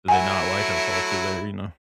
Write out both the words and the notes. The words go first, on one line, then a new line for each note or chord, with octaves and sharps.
do they not like our culture there, you know?
F#3 A3 E4 F#5 G#5